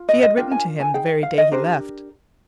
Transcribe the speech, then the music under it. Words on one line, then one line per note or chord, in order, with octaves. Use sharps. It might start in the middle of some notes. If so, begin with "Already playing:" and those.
She had written to him the very day he left.
Already playing: F4
D#5
D#5
D4 F4 A#4 G5
G#5
G#5
D#4 G#4 G5
F5
D#5
D4 G4 A#4 C5